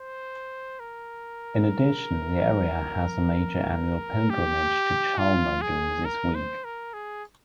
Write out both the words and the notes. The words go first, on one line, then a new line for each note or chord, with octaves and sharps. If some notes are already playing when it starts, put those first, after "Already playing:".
In addition, the area has a major annual pilgrimage to Chalma during this week.
Already playing: C5
A#4
G4
F4
G#4
A#4
C5
A#4
G#4